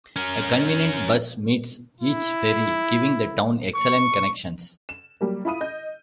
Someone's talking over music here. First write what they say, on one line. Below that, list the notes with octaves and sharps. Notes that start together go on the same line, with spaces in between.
A convenient bus meets each ferry giving the town excellent connections.
C#4 A#4
E4
C#6
E7
F#3 G3 A#3
E4 F4 B5 D#6 D#7
D#5 G6